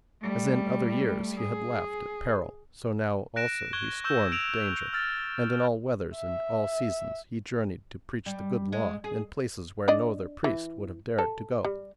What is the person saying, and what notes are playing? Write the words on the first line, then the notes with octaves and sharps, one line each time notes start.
As in other years he had laughed at peril, so now also he scorned danger; and in all weathers and all seasons he journeyed to preach the good Law in places where no other priest would have dared to go.
G3 A3
G#4
F#6 A#6 D7 E7
C#6 F#6 G#6 E7 G7
C#6 E6 G6 E7 G7
E6 D7 E7 F7
E6 F6 A6
E5
G3
G#3
G#4
D4 D5 D#5
E3
A4
G3